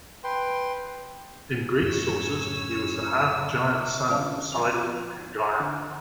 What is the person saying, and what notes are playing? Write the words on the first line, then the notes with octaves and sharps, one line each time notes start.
In Greek sources, he was the half-giant son of Poseidon and Gaia.
B4 G5 C6
F#2 A2 C#4 C#5 E6
D3 C#4 D5 F5 A5
F3 F7
D3